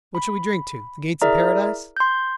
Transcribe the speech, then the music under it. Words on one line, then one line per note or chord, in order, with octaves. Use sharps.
What shall we drink to? The gates of paradise?
B5
E4 G#4 A#4 D5 E5 A#5
C6 G6